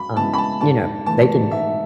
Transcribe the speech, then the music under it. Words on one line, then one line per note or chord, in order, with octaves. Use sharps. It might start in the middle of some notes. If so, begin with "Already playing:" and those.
Um, you know, they can
Already playing: F#2 G#3 B5
C#3 G#3 B3 E4 A5
B5
A5
G#2 A5
E3 A3 A5
G#2 E5